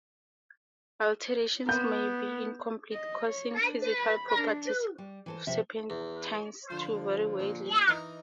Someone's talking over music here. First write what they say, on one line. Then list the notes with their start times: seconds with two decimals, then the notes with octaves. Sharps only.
Alterations may be incomplete, causing physical properties of serpentines to vary widely.
1.69 B3 G6
2.93 D#5
3.29 C#5
3.60 D4
3.97 B5
4.36 D4
4.98 G3
5.26 E3 A4 C5
5.47 C3 F3 A4 E5
5.90 E2
6.70 D3 F3 F4
7.40 A#2
7.88 E3 D#4 A#4